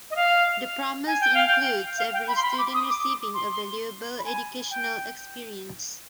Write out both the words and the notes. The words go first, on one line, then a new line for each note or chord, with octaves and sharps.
The promise includes every student receiving a valuable educational experience.
D#5
F5
G#5
G5
F5
G5
F5
G5
B5
C6
B5
D6
D#6
D6
C6
B5
G#5
G5